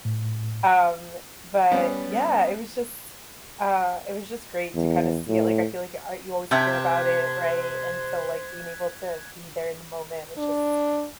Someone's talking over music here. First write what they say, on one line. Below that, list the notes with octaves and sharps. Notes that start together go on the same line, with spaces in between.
Um, but yeah, it was just, uh, it was just great to kinda see it, like, I feel like I you always hear about it, right, and so, like, being able to be there in the moment was just
A2
G3 B3 C#4
E2
A2
C3 C5 E5 G5 A5 F#6 G#6 B6
D4